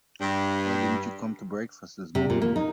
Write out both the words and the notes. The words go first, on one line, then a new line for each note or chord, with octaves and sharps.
Why didn't you come to breakfast this morning?
G2
C3
A#2
A#3
D#4